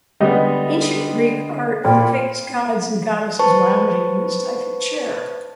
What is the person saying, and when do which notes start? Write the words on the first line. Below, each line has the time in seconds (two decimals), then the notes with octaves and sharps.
Ancient Greek art depicts gods and goddesses lounging in this type of chair.
0.20 D3 G3 G#3 B3 D#5
1.85 A#2 G5 B5
3.39 B4 C5 A5 C#6